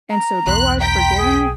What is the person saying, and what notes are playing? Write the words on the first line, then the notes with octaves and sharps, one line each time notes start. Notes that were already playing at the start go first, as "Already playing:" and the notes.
and so though I've forgiven,
A#5
B1 E2 B5 C6 F#6
G5 A#5 B6
G#4